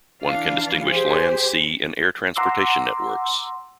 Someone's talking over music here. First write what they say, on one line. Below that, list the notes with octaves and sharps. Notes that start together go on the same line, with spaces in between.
One can distinguish land, sea and air transportation networks.
E3 D4 F5
G4 G#4 C5
F#5 A#5 C6 D6 E6